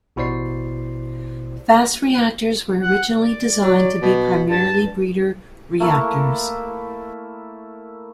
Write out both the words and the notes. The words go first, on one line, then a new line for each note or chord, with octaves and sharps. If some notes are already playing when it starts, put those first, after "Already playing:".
Fast reactors were originally designed to be primarily breeder reactors.
A1 B2 E4 C5 D5 C7
F#5
D5
F#3
B2
G2 A5
A3 A#3 E4 A4